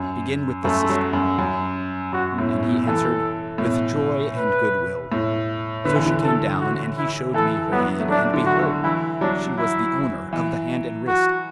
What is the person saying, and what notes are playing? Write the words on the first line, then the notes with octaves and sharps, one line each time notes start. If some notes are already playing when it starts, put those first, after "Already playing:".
Begin with the sister;' and he answered, 'With joy and goodwill.' So she came down and he showed me her hand and behold, she was the owner of the hand and wrist.
Already playing: F#2
F#2 A3
F#3
F#2
F#2
F#2 F#4
B2
A2
B2
E3 A4
A2
B2
B4
A2
D3 B4
E3
D3
A4
F#4
E4
E3 A4
F#3 B3
A3
F#3 D4
D3
F#4
D3
E3 E4
F#3 D4
E4
E3
F#4